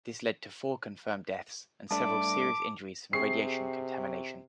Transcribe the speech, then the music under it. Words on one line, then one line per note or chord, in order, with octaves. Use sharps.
This led to four confirmed deaths and several serious injuries from radiation contamination.
G2 A3 D4 A5 D6
C3 C4 G#4 C#6 C7